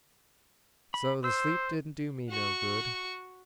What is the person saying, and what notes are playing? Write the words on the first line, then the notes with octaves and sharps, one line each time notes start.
So the sleep didn't do me no good.
B5
C5 E6
F#4 C#6